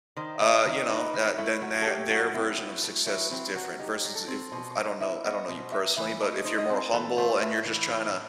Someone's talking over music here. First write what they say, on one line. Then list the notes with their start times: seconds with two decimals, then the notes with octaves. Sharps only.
uh, you know, uh, then th their version of success is different versus if f I don't know, I don't know you personally, but if you're more humble and you're just trying to
0.17 D#3 C5
0.41 A3 D#5
0.66 D#3 D#5
0.89 D#4 B4
1.13 D#3
1.38 A3 E4
1.62 F#3 F#4
1.82 A4
1.86 A3 G4
2.10 F#3 F#4
2.34 C4 E4
2.58 F#3
2.83 A3
3.06 F#3 E4
3.31 C4 E4
3.55 F#3 F#4
3.79 D#4 G4
4.04 F#3
4.15 A4
4.28 C4
4.52 B2 C5
4.76 F#3 D#5
5.00 E4 E5
5.25 B3 D#5
5.48 B2 C5
5.72 F#3 E5
5.96 E3 E5
6.21 A3 D#5
6.45 D#4 C5
6.58 D#5
6.70 C4 C5
6.93 E3 A4
7.18 A3 C5
7.41 A2 E5
7.65 E3
7.91 A2